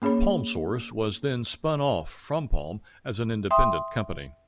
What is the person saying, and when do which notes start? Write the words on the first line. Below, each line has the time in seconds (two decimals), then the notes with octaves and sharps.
PalmSource was then spun off from Palm as an independent company.
0.02 A#3 C#4 G#4 C#5 B5
3.51 E5 G5 C6 D#6